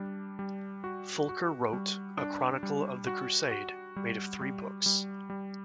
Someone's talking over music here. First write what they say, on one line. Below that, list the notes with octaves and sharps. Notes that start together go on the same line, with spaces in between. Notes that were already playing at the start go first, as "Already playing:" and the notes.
Fulcher wrote a chronicle of the crusade, made of three books.
Already playing: G3 D4
G3
F#4
F#4
G3
D4
G3
F#4
F#4
G3
G3
G3
G3